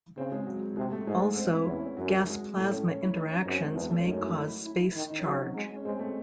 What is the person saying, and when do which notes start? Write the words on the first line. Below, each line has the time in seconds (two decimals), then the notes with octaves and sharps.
Also, gas plasma interactions may cause space charge.
0.17 C#3 C4
0.32 G#3
0.47 F#3
0.77 C3 G#3
0.91 A3
1.07 G#2 G#3
1.37 C4
1.52 E4
1.66 E2 C#4
1.97 F#2 F#3
2.27 G#3
2.57 A2 A3
2.71 C#4
2.86 C#4
3.02 E4
3.16 D#4
3.30 C#4
3.46 F#2 C4
3.61 G#3
3.76 E2 G#3
3.91 A3
3.99 C#4
4.05 F#2 D#4
4.21 E4
4.36 E4
4.66 E4
4.80 E4
4.95 D#3 D#4
5.10 D#4
5.19 C#4
5.25 F#3 C4
5.34 C#4
5.55 G#3
5.76 C#4
5.85 G#3 C4
5.99 A3